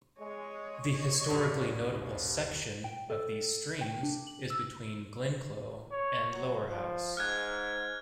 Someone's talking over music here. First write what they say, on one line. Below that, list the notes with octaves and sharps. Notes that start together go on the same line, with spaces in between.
The historically notable section of these streams is between Ginclough and Lowerhouse.
G#3 C#5 D#5
D#1 A#1 G2 C#3 G3 F#4
C2
G5
A4
G5
D4
F#7
E6
C#5
F#3
F3
G#2 F6 F#6 G#6